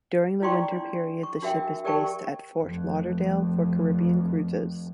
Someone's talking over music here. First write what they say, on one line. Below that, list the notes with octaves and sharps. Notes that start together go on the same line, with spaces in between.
During the winter period the ship is based at "Fort Lauderdale" for Caribbean cruises.
E4 F4 D5 G5 C6 C#6
D4
C#6
D4 F#4 A#4 E5 G5
G4 A#4 D5 G5 A5 C#6
F1 F2